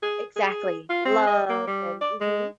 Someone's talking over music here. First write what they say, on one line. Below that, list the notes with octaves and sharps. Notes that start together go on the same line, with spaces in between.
Exactly. Love and mhm.
G#4
G#4
F4
C4
D#5
A#3
G3
D5
G#3